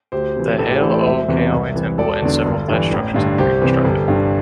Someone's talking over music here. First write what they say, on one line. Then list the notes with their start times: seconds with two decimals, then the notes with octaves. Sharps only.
The Hale o Keawe temple and several thatched structures have been reconstructed.
0.12 D2 G4 C5
0.36 C3 E3
0.58 A1 E4 A4
0.70 G4 C5
0.82 E3 E4 A4
0.86 A2
0.93 A4 D5
1.06 E1 C5 E5
1.28 E2 C3 E3
1.52 C2
1.75 C3 E3
1.98 E1 A4 D5
2.22 E2 D3
2.46 G1
2.68 G2 E3
2.91 A1
3.14 G2 D3
3.38 C2 G4 C5
3.62 C3 E3
3.85 G1
4.08 G2 D3